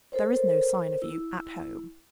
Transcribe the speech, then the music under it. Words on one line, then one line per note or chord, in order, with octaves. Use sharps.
There is no sign of you at home.
A4 A#4 C5 C#5
E4